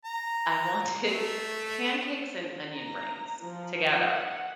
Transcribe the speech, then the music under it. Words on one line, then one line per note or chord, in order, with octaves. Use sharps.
I wanted pancakes and onion rings together.
A#5
A3
A#5
F3
F#5